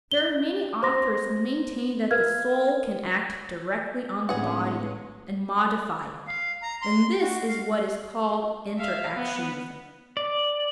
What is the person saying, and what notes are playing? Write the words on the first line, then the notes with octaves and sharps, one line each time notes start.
There are many authors who maintain that the soul can act directly on the body and modify it, and this is what is called inter-actionism.
G7
C5 C6 A#6
A#4 B4 F5 F6 G#6
D1 A2 G#3 C#4 G#4 B4 F#5
F5
A#5
C6
F#4
F5
E5 F5
B3
D5